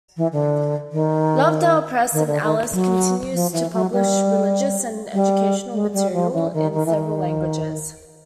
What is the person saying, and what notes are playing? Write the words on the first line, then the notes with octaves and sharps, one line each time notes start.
Lovedale Press, in Alice, continues to publish religious and educational material in several languages.
E3
D3
D#3
D#3
D3
D#3
F#3
F3
E3
F#3
G3
G3
G#3
G3
F3
E3
D#3
D#3
E3
D#3